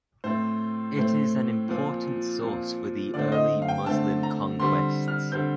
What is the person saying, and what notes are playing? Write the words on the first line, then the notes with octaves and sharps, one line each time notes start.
It is an important source for the early Muslim conquests.
A2 A3 C4 C5
A2 A3 C4
A#2 F3 C4
A#2 F3 C4
D3 A3 C4 D5
D#5
F5
G5
D3 A3 C4 A5
A#5
D3 G3 C4 C6
F6
D3 G3 C4 G6